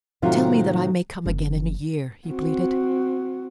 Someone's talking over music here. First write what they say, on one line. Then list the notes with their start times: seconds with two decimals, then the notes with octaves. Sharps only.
"Tell me that I may come again,--in a year," he pleaded.
0.22 A2 C3 D#3 F#3 C4 F4
1.26 F#1 F3
2.28 C4 F#4